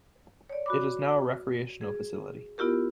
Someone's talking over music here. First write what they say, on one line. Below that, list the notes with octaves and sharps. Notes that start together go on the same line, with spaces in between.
It is now a recreational facility.
C#5 D5
F#4 B5 D6
G#4
B3 E4 F4 G4 A#4